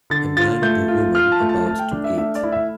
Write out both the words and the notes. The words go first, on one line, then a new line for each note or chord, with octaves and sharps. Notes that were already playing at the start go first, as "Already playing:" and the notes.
A man and a woman about to eat.
D3 A6
F4 A6
A3 G6
F4
F4 F6
A5
A3
A5
A3 A5
G5
D4
E5
A3 E5
D5
E4
E5